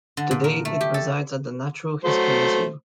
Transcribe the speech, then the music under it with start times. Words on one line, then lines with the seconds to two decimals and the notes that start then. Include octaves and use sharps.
Today it resides at the Natural History Museum.
0.17 D3
0.31 A#2
0.44 A#4
0.65 A3
0.81 G4
0.94 A4
2.04 F#3 A3 C5